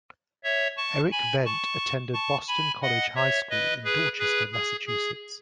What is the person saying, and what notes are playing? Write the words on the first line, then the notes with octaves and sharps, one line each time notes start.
Erik Vendt attended Boston College High School in Dorchester, Massachusetts.
C#5 E5
A5 C#6
G#5 B5
A5 C#6
A5 C#6
G#5 B5
D#5 F#5
C#5 E5
B4 D#5
G#4 B4
G#4 B4
G#4
G#4